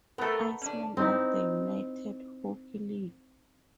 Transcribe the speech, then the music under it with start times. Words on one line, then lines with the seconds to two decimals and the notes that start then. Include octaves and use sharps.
Icemen of the United Hockey League.
0.18 A3 B3 A4 A#4
0.62 C#4 D4
0.97 C4 D#4 E4